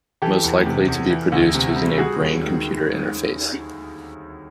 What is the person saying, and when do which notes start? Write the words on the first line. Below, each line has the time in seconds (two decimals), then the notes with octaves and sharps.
Most likely to be produced using a brain-computer interface.
0.22 E3 G4 A4
0.44 E2
0.66 C3
0.88 E2
1.10 E3
1.32 D2
1.54 C3
1.76 G3
1.98 G3 F#4 G#4
2.20 D#2
2.42 D#3